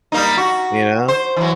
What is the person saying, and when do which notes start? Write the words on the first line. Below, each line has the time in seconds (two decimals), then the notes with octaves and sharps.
you know?
0.12 G3 A#3 D#4
0.37 F#4
1.08 C5
1.36 E3 F#3